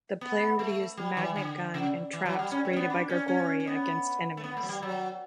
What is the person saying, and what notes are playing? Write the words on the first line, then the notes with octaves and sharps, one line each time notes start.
The player would use the magnet gun and traps created by Grigori against enemies.
B3
A3
G3
E3
D3
C#3
E3
F#3
G3
C#4
A3
C#4
B3
D4
C#4
C#4
C#4
B3
A3
B3
A3
F#3
G3
F#3